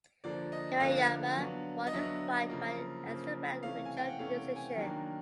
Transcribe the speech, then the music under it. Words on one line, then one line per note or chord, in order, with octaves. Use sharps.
Hirayama won the fight by an extra round majority decision.
D3 F3 A#3 D5
D#5
D3 F3 A#3 F5
F#3 B3 D4
D#5
F#3 B3 D4 E5
C#3 F3 A#3
C#3 F3 A#3
C3 E3 A3 C#4 F5
G#5
G5
F#5
C3 E3 A3 C#4 F5
G#5
D#3 F#3 A#3 D4